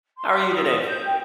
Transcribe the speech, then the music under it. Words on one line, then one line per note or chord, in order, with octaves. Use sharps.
How are you today?
C6
D#6
G6
G5